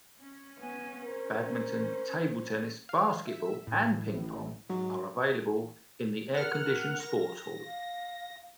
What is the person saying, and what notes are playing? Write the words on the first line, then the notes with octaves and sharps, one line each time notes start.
Badminton, table tennis, basketball and ping pong are available in the air-conditioned sports hall.
C#4
B3 G#5
A#4 C5
F5
E5
A2
A1
G#2 F#3
A#4 F#5 F6
A#6
F5